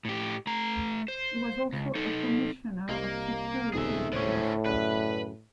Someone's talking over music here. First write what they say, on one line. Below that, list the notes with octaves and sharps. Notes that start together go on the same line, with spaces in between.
He was also a Commissioner of Security Appeals.
A2 G4
A3 A#5
C5
C#2
D#4 A4
C2 A#3 G4 D#5
D#1 C#2 C3 B3 D#4 G#4 A4 E5
A2 D3 C#4 C5 C#5 C#6
F#2 C#3 B4 D5 E5